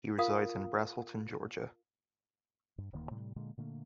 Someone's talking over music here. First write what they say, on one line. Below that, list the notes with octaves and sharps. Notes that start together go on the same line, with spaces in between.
He resides in Braselton, Georgia.
F4 A#4 F5 D#6
G2
D#1 D2 D#3 A#3
A2 C3 G3
A#2 D3 G#3 A#3
A#2 D3 A3 A#3